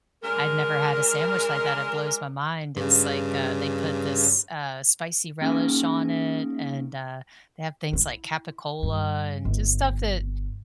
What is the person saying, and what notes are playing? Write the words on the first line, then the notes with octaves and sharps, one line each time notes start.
I'd never had a sandwich like that, it blows my mind, it's like, uh, they put this, uh, spicy relish on it, and, uh, they have things like capicola and just stuff that,
G#3 D4 A#4
G2 C#3
A#3 C#4 D#4 E4 F#4 G#4
E4
G2
G1